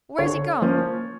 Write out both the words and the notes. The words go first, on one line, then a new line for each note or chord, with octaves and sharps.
Where's he gone?
D3 C#5
F3 A#3 C#4